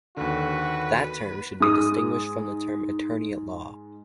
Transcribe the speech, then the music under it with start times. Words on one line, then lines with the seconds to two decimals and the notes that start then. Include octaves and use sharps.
That term should be distinguished from the term "attorney-at-law".
0.17 D#2 D3 F#4 B4
1.60 G#2 G#3 D#6